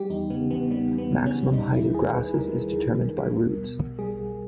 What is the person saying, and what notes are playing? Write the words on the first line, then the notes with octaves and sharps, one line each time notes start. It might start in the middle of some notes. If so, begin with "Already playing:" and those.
Maximum height of grasses is determined by roots.
Already playing: G3 G4
E2 D#4
C#3 B3
E2 B3
G3 B3
E2
B3
C#3
C#4
E2
G3 D#4
D#2 E4
D#3 G#4
D#2 B4
G3 A#4
D#2
D#3
D#2
G3
B1
B2
B1
G3 G#4
B1